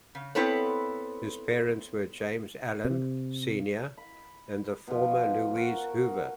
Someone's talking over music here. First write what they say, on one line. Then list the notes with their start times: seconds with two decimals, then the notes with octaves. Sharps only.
His parents were James Allen, Senior and the former Louise Hoover.
0.15 C#3
0.35 B3 C4 E4 A4 B4 C#5
2.85 C3
3.97 B5
4.88 B2 F3
5.55 F#4 A#4